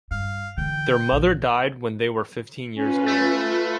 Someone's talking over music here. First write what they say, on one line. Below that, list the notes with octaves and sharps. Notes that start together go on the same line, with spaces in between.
Their mother died when they were fifteen years old.
G2 F5
D3 E3 G5
A#1
C#4 F4 B4
A3